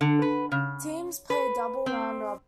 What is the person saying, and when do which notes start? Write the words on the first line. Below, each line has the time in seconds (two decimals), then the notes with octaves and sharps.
Teams play a double round robin.
0.01 D3
0.22 B4
0.52 C#3
1.30 B4
1.86 C4